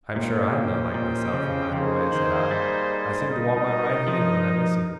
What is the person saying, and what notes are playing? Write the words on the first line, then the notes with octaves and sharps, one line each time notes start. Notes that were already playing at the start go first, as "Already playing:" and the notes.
'I am sure I am not like myself when I am away,' said I. 'I seem to want my right hand, when I miss you.
A#2 C#4 G4 C5 D#5 G5
A#2
C#3
C#3 A#3 D#4 G#4 C5
D#3
G3
D#4 A#4 D#5
F3